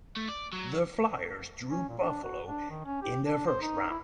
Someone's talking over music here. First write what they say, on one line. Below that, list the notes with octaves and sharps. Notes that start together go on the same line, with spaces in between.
The Flyers drew Buffalo in the first round.
A3
D5
F#3
C#4
A#2
D4
F#4
D4
D#3
C#4
G4
D4
C5
D#4
E4